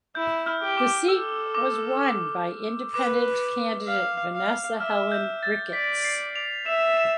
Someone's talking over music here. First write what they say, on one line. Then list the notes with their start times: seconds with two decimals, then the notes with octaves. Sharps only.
The seat was won by independent candidate Vanessa Helen Ricketts.
0.15 E4 G6
0.46 F6
0.62 G4
0.77 D6
1.08 A4 E6
1.55 D6
2.94 B4 D6
3.87 F5
4.33 F5
4.80 E5 F6
5.12 G6
5.43 A6
5.73 D5 B6
6.04 C7
6.36 F7
6.66 E5 E7
6.97 E7